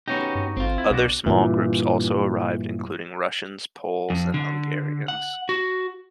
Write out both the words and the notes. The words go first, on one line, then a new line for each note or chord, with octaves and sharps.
Other, smaller groups also arrived, including Russians, Poles and Hungarians.
B3 C#4 D#4 F#4 G4
G2
G#1 C4 F4
E4
B1 B2 D4 F#4
G2 A#2 E3
F2
D3
F#5
F#4